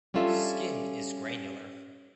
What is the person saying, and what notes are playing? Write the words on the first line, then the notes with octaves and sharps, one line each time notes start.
Skin is granular.
G3 C#4 D4 F4 A4 E5